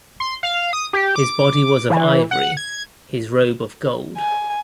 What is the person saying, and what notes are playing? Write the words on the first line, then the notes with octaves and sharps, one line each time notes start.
His body was of ivory, his robe of gold.
C6
F5
D#6
G4
D6
E3
F#5
G#6
G#5